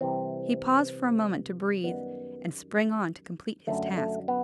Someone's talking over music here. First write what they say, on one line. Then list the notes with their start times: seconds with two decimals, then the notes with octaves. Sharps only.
He paused for a moment to breathe, and sprang on to complete his task.
0.01 C2 C3 E3 C4
1.84 F#2 D#3 G3 B3
3.67 F#2 D3 F#3 A3
3.98 A3
4.28 B3